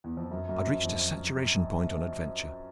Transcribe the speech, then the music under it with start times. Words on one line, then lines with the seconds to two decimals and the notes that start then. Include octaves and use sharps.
I'd reached a saturation point on adventure.
0.04 E2
0.17 F2
0.31 F#2
0.49 F#2
0.66 F2
0.85 F2